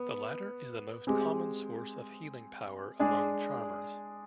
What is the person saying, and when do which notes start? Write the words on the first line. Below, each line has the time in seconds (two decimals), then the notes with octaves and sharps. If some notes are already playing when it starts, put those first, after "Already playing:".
The latter is the most common source of healing power among charmers.
Already playing: B3
1.07 G#3 C4 G4
2.99 G#3 D4 G#4 D5